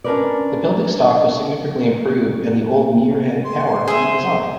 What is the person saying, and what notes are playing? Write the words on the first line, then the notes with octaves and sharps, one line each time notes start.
The building stock was significantly improved and the old Muirhead Tower redesigned.
C#4 D4 E4 A#4 B4 D5
C6
G#4 C5 E5 G#5